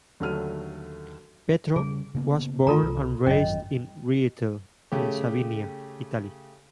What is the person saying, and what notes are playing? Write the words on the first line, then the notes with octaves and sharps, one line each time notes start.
Petro was born and raised in Reate, in Sabinia, Italy.
D#2 D3 F#3 A3 F6 D#7
C#3 G3 G#4
C#3 A#3 B3
G2 D#3 A3 F4 A4 A#5
C2
G#1 F#2 F#3 C#4 D#5
C#3 A3 G4